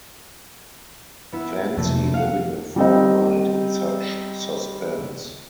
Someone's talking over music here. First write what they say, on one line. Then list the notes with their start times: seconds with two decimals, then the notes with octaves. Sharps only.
Fancy living a fortnight in such suspense!
1.32 B3 E4
1.77 F2 C3 F#3 A3
2.14 F5 F#5
2.76 G3 C4 D#4